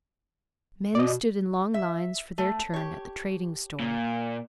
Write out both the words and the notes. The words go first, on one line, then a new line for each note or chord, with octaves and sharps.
Men stood in long lines for their turn at the trading-store.
B2 D5 D#5
E5
A3
G4 C#5
A#2